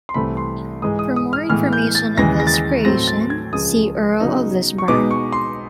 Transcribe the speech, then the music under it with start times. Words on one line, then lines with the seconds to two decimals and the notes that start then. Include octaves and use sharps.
For more information on this creation, see Earl of Lisburne.
0.09 C6
0.14 C2 C3 E3 A3 C4 B5
0.37 C6
0.82 G#2 E3 G#3 D#6
0.99 D#6
1.16 D#6
1.33 F6
1.50 A2 E3 G#3 B3 F6
1.73 G6
1.95 A6
2.17 D#2 C#3 E3 G#3 A#6
2.40 A#6
2.47 A6
2.54 A#6
2.85 A2 F#3 A3 C4 A#6
3.08 A6
3.30 G#6
3.53 C#2 C#3 F3 G#3 D#6
4.20 C#3 F#3 B3 D#4
4.78 C#6
4.88 B2 G#3 B3 D#4 D6
5.11 C#6
5.32 C6